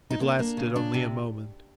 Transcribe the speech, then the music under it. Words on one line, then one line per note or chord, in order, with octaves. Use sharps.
It lasted only a moment.
D#4
A#3 D4
A#3
C#3
D4
C3